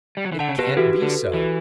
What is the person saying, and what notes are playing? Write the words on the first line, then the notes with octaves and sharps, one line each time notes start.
It can't be so!
G3
F#3
E3
D3 F#5 A5
C#3
B2 G4 B4
C#3
E3 F#4 A4
D3
E3